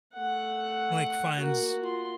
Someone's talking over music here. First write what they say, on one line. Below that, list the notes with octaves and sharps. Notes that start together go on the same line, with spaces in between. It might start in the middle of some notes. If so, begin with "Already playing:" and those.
like finds
A3 F#5
A#3 F#4
F4 C6